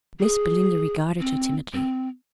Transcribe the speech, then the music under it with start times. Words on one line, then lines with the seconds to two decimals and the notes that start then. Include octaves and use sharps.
Miss Belinda regarded her timidly.
0.20 G#4
1.20 C4
1.73 C4